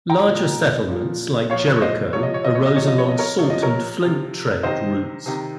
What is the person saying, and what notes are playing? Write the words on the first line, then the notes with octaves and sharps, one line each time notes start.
Larger settlements like Jericho arose along salt and flint trade routes.
G5 A#5
A#2 F3
A#2 F3
A#2 F3 C#5 F5
C#5
C5 D#5
C3 F3 C#5
D#5
C#5
D#5
C#5
D#5
C3 F3 C#5
D#5
C#5
D#5
A#4 C#5
C3 F3 C#5
D#5
A#4 C#5
C3 F3
C3 D#3 C5 D#5
C3 D#3